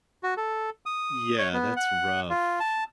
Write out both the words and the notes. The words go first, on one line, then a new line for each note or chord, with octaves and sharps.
Yeah. That's rough.
F#4
A4
D#6
C#5
B3
F#5
F4
A5